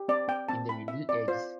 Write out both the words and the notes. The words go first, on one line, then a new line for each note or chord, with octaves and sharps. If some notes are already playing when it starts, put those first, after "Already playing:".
In the Middle Ages.
Already playing: G4
C4 D5
C4 G5
C4 A5
E4 B5
C4 E5
C4 D5
F4 C5